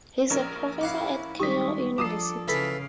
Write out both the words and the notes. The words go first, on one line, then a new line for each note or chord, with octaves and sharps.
He is a professor at Keio University.
A#1 C#4 A#4
E4 F5 F#5 D6
D#3 G3 G#3 G4 C#6 D#6 B6
F3 D4 A4 A#5 D6 D#6 C7 E7
C#3 E3 A4 F5 B5